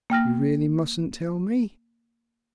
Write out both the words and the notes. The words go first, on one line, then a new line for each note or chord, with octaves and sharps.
"You really mustn't tell me?"
A#3 G5 F6 A#6